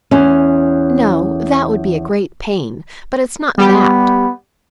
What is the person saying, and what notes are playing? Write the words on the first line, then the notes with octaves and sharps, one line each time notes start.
"No, that would be a great pain; but it's not that."
E2 C#4
G3 B3 G4